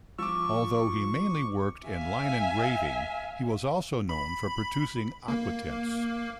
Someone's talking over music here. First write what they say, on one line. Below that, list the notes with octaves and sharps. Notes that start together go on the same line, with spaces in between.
Although he mainly worked in line engraving, he was also known for producing aquatints.
F3 C#6 D6 E6
E5 F5 G#5
B5
A#3